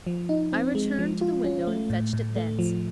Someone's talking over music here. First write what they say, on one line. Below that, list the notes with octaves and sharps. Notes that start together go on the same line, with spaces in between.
I returned to the window and fetched it thence.
F3
D#4
C4
G#3
F3
F4
C#4
A3
A2
A2
A3
F3